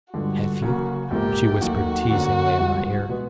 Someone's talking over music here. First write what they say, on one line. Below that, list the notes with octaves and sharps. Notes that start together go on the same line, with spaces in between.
"Have you?" she whispered teasingly in my ear.
G2 D3 F3 G#3 F#4
C#3 F#3 A#3
A#1 G#2 F3 A#3 G4
D#2 D#3 F#3 A3 F#4
F2 D3 F3 A#3 C#4
C2 C3 F3 G#3
B2 G#3 B3